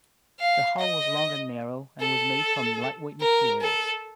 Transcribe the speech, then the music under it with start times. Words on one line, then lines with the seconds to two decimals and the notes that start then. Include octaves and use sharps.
The hull was long and narrow and was made from lightweight materials.
0.40 F5
0.79 D#5
2.00 A4
3.21 A#4
3.61 A4